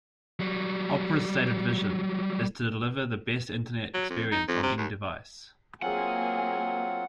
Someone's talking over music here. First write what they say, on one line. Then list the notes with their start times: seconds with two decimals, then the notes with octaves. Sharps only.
Opera's stated vision is to deliver the best Internet experience on any device.
0.39 F#3 G3
3.94 F#3
4.10 F2
4.31 D#4
4.48 F2
4.63 C3
4.78 D#2
5.82 F#3 A#3 C4 F4 G#4 F#5